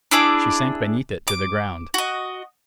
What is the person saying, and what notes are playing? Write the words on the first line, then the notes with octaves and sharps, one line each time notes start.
She sank beneath it, to the ground.
D4 E4 G#4 D6
D6
F#4 D#5